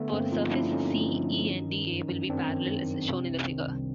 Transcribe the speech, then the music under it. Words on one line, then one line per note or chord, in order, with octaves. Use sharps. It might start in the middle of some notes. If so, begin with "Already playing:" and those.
For surface c, E and dA will be parallel, as shown in the figure.
Already playing: D3 A3 B3
G2 A#3 C4
F3 D#4 F4
G2 D4 E4
D3 C#4 D#4
G2
F3
G2
D#3
D#3
F#2
F#2
D#3 C4 D4
D#3
F#2
F#2
C3
C2
D#3
C2